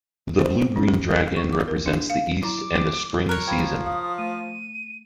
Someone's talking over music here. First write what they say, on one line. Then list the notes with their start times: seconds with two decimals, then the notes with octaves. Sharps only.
The Bluegreen Dragon represents the east and the spring season.
0.40 C5
0.76 C#4
0.88 G4
1.08 A#4
1.36 C#6
1.53 D6
1.68 A#4
1.86 D4
2.10 F5
2.42 F#3 E4 A#5 D6
3.29 A#4 C#5 F#6
3.47 F3 G5 B5 G#6
3.86 F5 D#6
4.18 A3 D#7